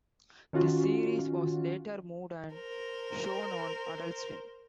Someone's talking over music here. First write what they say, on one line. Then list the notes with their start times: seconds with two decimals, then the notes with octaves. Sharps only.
This series was later moved and shown on Adult Swim.
0.53 D#3 C#4 F4 F#4
2.54 A#4 C5